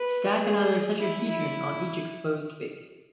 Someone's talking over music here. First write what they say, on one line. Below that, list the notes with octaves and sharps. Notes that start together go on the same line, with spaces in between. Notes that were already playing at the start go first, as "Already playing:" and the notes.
Stack another tetrahedron on each exposed face.
Already playing: B4
G#4
E4
E4